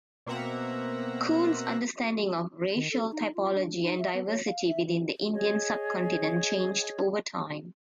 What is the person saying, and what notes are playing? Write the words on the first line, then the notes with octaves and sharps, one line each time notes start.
Coon's understanding of racial typology and diversity within the Indian sub-continent changed over time.
B2 A#3 C4 E5 F#5 A#5
D#3
A4
D#4
F4
D4
D#4
E5
B3
C#5
F5
E5
E3
G#4 C#5 D#5